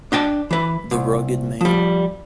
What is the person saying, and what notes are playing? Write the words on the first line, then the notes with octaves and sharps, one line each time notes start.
The Rugged Man.
D4 D#5 G5 A5
E3 B4
C2
F3 G3